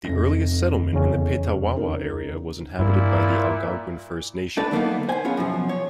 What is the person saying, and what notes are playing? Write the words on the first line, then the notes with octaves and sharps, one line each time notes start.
The earliest settlement in the Petawawa area was inhabited by the Algonquin First Nation.
F1 F2 A#6
E2 C#3 C#4
D#4 A#4
G2 A#2 E4
A3 D4 A4 B4
D3 F#3 A#3 B3 D#4
C5 G#5
B3 C#4 F4 G#4
F#2 B2 F3
C#5